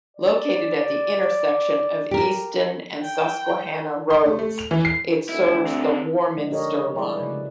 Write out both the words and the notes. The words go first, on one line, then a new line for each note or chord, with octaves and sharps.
Located at the intersection of Easton and Susquehanna Roads, it serves the Warminster Line.
D5
G4 A#4
G5
C6
A3
A3
F7
E3
C7
D2 E4
D3 C4
D3 F3 G#3 D#4
D4 G4 A#4 C#5 D#5
F3 G3 G#3 E4 G#4 D5
C#3 F#3 B4